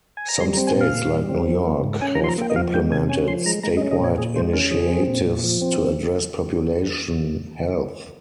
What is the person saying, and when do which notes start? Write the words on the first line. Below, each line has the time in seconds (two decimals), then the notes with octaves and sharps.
Some states, like New York, have implemented statewide initiatives to address population health.
0.17 G#5
0.28 A#5
0.40 G3 C6
0.53 A#5
0.57 C4
0.67 G#5
0.75 A#2
0.81 F5
0.94 A#2
1.12 G3
1.29 C4
1.47 F3
1.65 A#3
1.84 G#2
2.01 C#4 G#5
2.15 A#5
2.20 F3 C6
2.28 A#5
2.38 A#3 G5
2.50 D#5
2.55 F3 F5
2.73 G#3 G5
2.92 C3 G#5
3.09 C#4 G#5
3.27 F3 C6
3.46 G#3 A#5
3.63 G#3 A#5
3.77 D#5
3.81 C#4
3.91 D#5
4.00 A#2 C#5
4.18 A#2 G#4
4.36 G#3 C5
4.53 C#4 A#4
4.71 F3 G#4
4.89 C4
5.07 A#2
5.25 A#2
5.44 F3
5.61 C4